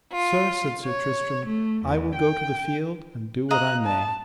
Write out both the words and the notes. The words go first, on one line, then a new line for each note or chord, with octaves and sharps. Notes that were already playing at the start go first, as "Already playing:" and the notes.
Sir, said Sir Tristram, I will go to the field and do what I may.
F4
C#5
A3
E2
G5
D#5 F5 A#5 F#6
A5